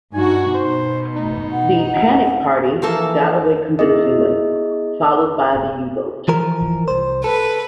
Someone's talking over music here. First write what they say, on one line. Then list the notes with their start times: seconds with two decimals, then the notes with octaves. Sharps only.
The 'Panic party' got away convincingly, followed by the U-boat.
0.14 G2 D#4 F#4 G#5
0.54 B2 D#4 C5
1.16 A3 D#4
1.52 F#5
1.87 F#5
2.82 E3 F3 A#3 A4
3.79 B3 E4 G#4 D#5
6.28 E3 F3 A#4
6.88 C2 C5
7.24 A4 B4